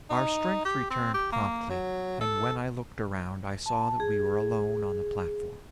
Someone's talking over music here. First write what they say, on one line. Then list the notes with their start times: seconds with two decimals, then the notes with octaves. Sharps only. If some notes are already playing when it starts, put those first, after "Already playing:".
Our strength returned promptly, and when I looked around, I saw that we were alone on the platform.
0.10 D#4
0.65 G4
0.90 C4
1.14 G4
1.32 A#3
1.70 F#3
2.21 A4
3.66 A5
4.00 G#4